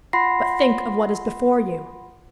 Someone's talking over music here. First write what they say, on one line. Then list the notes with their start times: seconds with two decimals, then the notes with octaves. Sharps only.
"But think of what is before you."
0.13 F4 F#5 B5 C6 A#6 C7